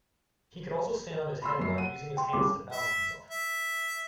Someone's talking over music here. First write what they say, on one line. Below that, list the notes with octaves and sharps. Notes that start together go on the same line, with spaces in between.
He could also stand on his head without using his hands to balance himself.
B5 C6 E6
F#2 C7
F#5 D#7
G5 C6
C2 C#3 D6
E5
E5